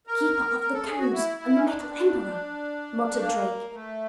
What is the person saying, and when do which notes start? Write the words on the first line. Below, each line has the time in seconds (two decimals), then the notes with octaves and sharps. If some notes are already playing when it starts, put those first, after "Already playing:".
"The Keeper of the Cones and the Metal Emperor!" muttered Drake.
0.07 A#4
0.60 A#4
0.73 A4
0.85 G#4
0.99 F#4
1.12 E4
1.38 E4
1.55 C#4
1.64 D4
3.15 A3
3.21 A#3
3.73 A3